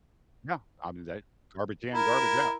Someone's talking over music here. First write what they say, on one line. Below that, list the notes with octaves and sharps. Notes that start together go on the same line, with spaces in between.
Yeah, I mean, they "Garbage in, garbage out."
E4 A#4